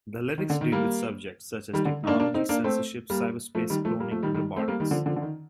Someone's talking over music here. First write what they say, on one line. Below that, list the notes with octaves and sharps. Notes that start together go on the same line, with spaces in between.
The lyrics deal with subjects such as technology, censorship, cyberspace, cloning and robotics.
D#3
D3
D#3
G3 A#3
D#3 G3
D3
D#4
A#3 D4
A#3 D4
C4 D#4
A#3 D4
A3 C4
G3 A#3
F3 A3
D#3 G3
F3 A3
G3 A#3
F3 A3
D#3 G3
D#3 G3
A3 C4
G3 A#3
D#3 G3
D3 F3
D3 F3
D3
D#3